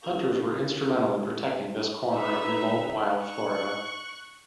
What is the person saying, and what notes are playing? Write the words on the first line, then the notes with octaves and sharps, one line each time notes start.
Hunters were instrumental in protecting this corner of remote, wild Florida.
C#4 E4 G4 A#4 F5 C#6
D#4 B4 E5
C#6 F#6